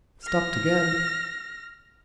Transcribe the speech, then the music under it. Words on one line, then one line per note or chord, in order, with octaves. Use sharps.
Stopped again.
F6 A#6